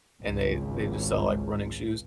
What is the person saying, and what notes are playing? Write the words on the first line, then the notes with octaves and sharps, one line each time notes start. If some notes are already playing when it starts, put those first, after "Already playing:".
and they they just sell, like, running shoes,
G#1 C#2